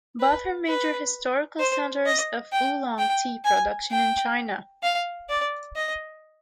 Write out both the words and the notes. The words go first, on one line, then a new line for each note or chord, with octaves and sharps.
Both are major historical centers of oolong tea production in China.
B4
B4
C5
D#5
G5
G5
G#5
G5
F5
D5
D#5